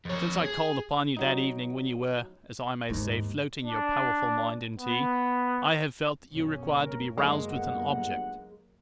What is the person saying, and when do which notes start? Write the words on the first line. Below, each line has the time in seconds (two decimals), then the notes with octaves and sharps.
Since I called upon you that evening when you were, as I may say, floating your powerful mind in tea, I have felt that you required to be roused with an object.
0.05 F2 C#5
0.44 G#4
1.17 F#3 D#4
2.90 D#2 G#2
3.63 D4
4.78 B3
6.32 B1 F#2 C#4
6.73 A3 A#3 A#4
7.18 F#1 F#2 C#3 G#3 A#3
7.49 G1 F#5